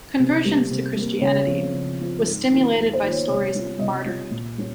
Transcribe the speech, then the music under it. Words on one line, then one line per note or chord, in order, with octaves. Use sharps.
Conversions to Christianity, was stimulated by stories of martyrhood.
C3
G3 A#3
C3
G3 A#3
C#3 C#5
F3 C4 F4
C#3
F3 C4 F4
G#2
D#3 A#3 F4
G#2
C5
D#3 A#3 F4
C#5
C3 C#5
G3 C#4 F4
C3 D#5
G3 C#4 F4
A#2
G3 C#4